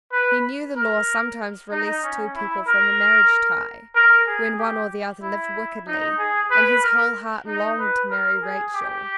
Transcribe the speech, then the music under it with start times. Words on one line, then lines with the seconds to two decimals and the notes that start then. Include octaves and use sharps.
He knew the law sometimes released two people from the marriage tie when one or the other lived wickedly, and his whole heart longed to marry Rachel.
0.12 B4
0.76 A#4
1.72 D#4
2.04 C#4
2.36 E4
2.68 A#4
3.95 A#4
4.27 G#4
4.59 G4
5.22 E4
5.87 D#4
6.18 G#4
6.51 B4
6.83 A#4
7.47 D#4
7.79 B4
8.11 A#4
8.42 G#4
8.74 G4